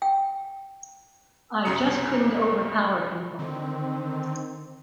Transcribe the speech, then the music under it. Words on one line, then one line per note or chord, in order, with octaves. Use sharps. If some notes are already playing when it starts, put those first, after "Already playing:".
I just couldn’t overpower people.
G5
C2 F#2 C#3 A#5 D#6 C#7
D3 D#3 C4